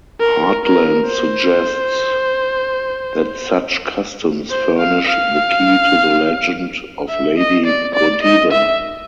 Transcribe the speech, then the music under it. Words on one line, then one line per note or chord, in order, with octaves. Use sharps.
Hartland suggests that such customs furnish the key to the legend of Lady Godiva.
A#4
A#4
C5
C5
F5
F5
E5
D#5
D5
D5
D#5
E5